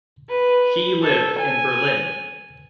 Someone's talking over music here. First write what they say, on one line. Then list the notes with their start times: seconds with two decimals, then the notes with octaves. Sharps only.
She lived in Berlin.
0.29 B4
1.02 A4
1.38 G#5